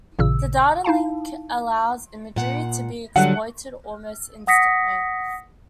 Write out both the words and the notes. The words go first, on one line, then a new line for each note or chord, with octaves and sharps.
The data link allows imagery to be exploited almost instantly.
A1 A#2 C#3 E6
D#4 E4 F5 A5
A#2 F#5
D3 F#3 G3 F#5
F#5 D#6 A#6 B6 C#7